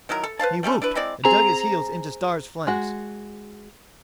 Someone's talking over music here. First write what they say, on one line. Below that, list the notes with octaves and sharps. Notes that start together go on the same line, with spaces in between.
He whooped, and dug his heels into Star's flanks.
D#3 F#3 E4 A#4
A4
B4 C5 F5 A5
F3 G3 A3 C#4
D4 E4 B4
G#3 C4 E4 D5
C4 G#4 A#5
G#3 F#4